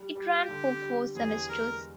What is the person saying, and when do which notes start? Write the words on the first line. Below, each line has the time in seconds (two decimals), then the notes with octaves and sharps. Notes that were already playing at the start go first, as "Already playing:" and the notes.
It ran for four semesters.
Already playing: G3
0.15 G3 G4
0.49 D3
0.82 G3
1.15 E2 G#4
1.49 G#3 A#4